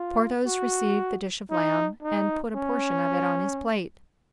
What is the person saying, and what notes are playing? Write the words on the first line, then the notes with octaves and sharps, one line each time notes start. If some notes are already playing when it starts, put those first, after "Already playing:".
Porthos received the dish of lamb, and put a portion of it on his plate.
Already playing: F4
F#4
D#4
D#4
C#4